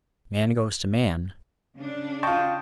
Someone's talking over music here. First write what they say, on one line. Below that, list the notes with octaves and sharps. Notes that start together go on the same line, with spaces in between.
Man goes to Man!
C#3 D4
F4 D#5 G5 A5 C#6